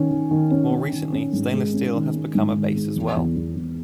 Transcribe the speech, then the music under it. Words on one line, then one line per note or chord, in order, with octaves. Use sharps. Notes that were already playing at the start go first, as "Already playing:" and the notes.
More recently stainless steel has become a base as well.
Already playing: D#3 C#4
D#3
D#3
C#4
C#4
D#3
C#4
G#2
G#3
C#4
D#3
G#3
G#2
D#3
G#3
E2
E2
E2
E2